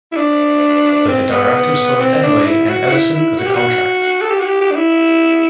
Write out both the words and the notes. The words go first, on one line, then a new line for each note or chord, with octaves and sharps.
But the director saw it anyway and Ellison got a contract.
E4
D4
C4
B3
C4
D4
E4
F#4
F#4
E4
E4
F#4
G4
F#4
A4
G4
F#4
G4
G4
D4
E4